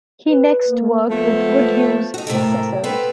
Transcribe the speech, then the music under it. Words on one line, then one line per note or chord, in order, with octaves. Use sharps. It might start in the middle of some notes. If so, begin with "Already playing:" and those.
He next worked with Goodhue's successors.
B4
A#3
F3 A3 B3
D#4 F#4
A2 C3 A4 A#4
B3 C4 A4 B4